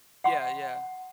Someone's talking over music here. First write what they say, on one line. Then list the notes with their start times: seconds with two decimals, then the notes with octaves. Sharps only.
Yeah, yeah.
0.24 F#5 C6